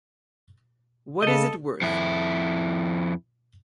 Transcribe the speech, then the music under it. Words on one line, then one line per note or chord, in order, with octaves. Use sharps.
What Is It Worth?
C#3 A4 D#5
F2 E4